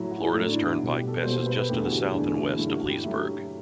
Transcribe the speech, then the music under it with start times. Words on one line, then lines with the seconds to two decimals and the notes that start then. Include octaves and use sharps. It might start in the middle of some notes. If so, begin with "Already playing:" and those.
Florida's Turnpike passes just to the south and west of Leesburg.
Already playing: A2 F#3 A3 E4
0.11 F#4
0.33 A2 F#3 A3 E4
0.48 D4
0.63 E4
0.78 B2 G3 F#4
0.94 G4
1.08 A4
1.23 B2 G3 C5
1.46 B4
1.68 E2 D3 A3 G4
1.85 F#4
1.91 E4
2.13 E2 D3 A3 D4
2.36 E4
2.58 G2 F#3 A3 E4
2.68 E4
2.73 F#4
2.88 G4
3.03 G2 F#3 A3 E5